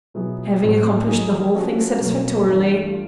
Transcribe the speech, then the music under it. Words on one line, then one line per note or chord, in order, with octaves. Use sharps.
"Having accomplished the whole thing satisfactorily."
B2 F#3 B3 E4 G#4
A2 F#3 A3 C4
F#3 A#3 D#4 G#4
F3 A3 C#4 F#4 A4
B2 F#3 A#3
G2 E3 A3
F4